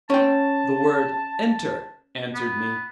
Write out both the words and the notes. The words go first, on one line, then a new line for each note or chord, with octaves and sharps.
The word "Enter!" answered me.
C#4 G5 A5
B3